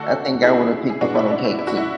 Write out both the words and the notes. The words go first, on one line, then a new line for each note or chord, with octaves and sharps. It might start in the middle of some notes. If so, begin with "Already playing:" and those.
I think I would've picked the funnel cake too.
Already playing: D3 A3 D4 F#4 A4
E4 G#4
G#4
B2 G#3 B3 D4 F#4
E4
D4
E4
E4
F#4
E4